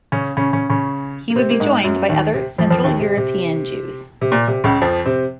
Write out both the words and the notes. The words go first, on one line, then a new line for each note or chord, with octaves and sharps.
He would be joined by other Central European Jews.
C#3 C#4
C#3 C#4
C#3 C#4
C#3 C#4
A#3
C3 C4
A#3
G#2 G#3
F#2 F#3
D#2 D#3
C3
F2 F3
F2 F3
D#2 D#3
C3
C3
C3
A#2
C3
C#2 C#3
F2 F3
C3 C4